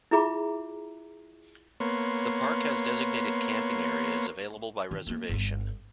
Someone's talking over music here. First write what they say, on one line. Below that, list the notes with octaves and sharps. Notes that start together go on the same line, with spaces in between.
The park has designated camping areas available by reservation.
E4 F4 G#4 E5 A#5 D6
A#3 B3 C#5 C6
D#3
A3 A#3
G1 G2